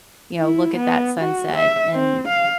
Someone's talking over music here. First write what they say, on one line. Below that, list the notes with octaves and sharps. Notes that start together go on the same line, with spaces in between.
you know, look at that sunset and
E4
B3
F#4
E5
C4
F5